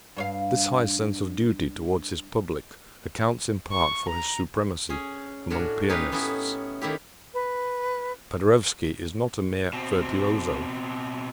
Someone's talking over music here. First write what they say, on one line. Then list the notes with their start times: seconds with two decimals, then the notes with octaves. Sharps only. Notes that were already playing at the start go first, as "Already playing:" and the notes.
This high sense of duty toward his public accounts in part for his supremacy among pianists Paderewski is not a mere virtuoso.
0.16 G2 C#5 F5
3.72 C#6
4.09 A#5
4.89 C#4 G#4
5.50 A2 C#4 D4 F#4
5.89 C#4 D#4 G4 B4 F5
6.12 A2 B3 C#4 D#4 E4
6.81 D#3 A#3 E4 G4
7.34 B4
9.73 B2 C4